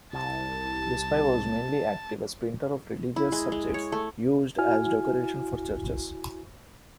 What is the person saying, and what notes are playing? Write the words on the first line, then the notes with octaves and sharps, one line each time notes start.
Crespi was mainly active as painter of religious subjects used as decoration for churches.
C2 A5
E4
G#3
G#3
C#5
A3
E4 F#4 G#5 F6